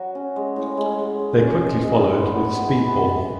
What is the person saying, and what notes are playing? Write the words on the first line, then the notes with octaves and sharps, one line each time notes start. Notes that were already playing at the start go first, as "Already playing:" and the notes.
They quickly followed with "Speedball".
Already playing: F#3 F#4
C#4
G#3
A2
G#3
G#3
C#4
C#4
G#3
G#3
E3
B3
B3
E3
B3
E3